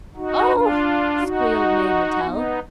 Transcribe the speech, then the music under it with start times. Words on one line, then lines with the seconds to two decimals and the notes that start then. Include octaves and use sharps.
"Oh!" squealed Mae Mertelle.
0.16 D#4 F#4
0.51 D4 F4
1.19 D#4 F#4
2.23 B3 D#4